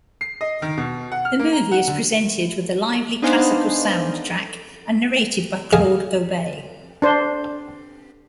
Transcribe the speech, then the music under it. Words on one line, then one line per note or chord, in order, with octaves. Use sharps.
The movie is presented with a lively classical soundtrack and narrated by Claude Gobet.
C7
D#5
D#3
B2
F#5
F6
A#3
A#5
F#5
D3
B3 D4 D#4 C5 F5 G#5
G#4 D#5 F5 G#5 A5
D4 C5